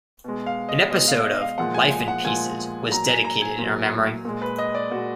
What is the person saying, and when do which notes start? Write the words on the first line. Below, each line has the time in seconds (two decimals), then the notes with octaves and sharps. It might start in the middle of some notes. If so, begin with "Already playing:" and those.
An episode of "Life in Pieces" was dedicated in her memory.
0.24 B2 G#3
0.46 F5
0.69 D#5
0.91 B2 G#3 D#5
1.08 F5
1.24 D#5
1.41 F5
1.58 A#2 F3 G#3 F#5
1.74 G#5
1.92 G#5
2.08 F#5
2.24 A#2 F3 G#3 G#5
2.92 A#2 F#3 A#5
3.08 G#5
3.24 A#5
3.42 G#5
3.58 A#2 F#3
4.25 A#2 G#3
4.42 B4
4.58 D#5
4.75 D5
4.91 A#2 G#3 F#4